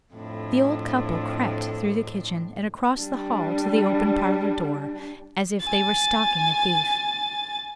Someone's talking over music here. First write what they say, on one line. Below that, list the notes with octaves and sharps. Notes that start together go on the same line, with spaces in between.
The old couple crept through the kitchen and across the hall to the open parlour door as if they were stalking a thief.
F2 A2 D4
G3 D4
G#5 A6